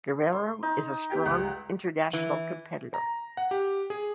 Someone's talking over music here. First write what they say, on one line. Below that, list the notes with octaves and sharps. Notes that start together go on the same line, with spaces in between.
Guerrero is a strong international competitor.
C6
D#4
B3 G4 G5
C#2 G3 F#5
E3
A#5
F#5
G4
G#4